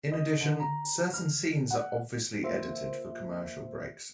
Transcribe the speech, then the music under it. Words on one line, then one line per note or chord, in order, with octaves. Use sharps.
In addition, certain scenes are obviously edited for commercial breaks.
D#5
D3
A#5
F6
F#5
A#3 F4 C5 E5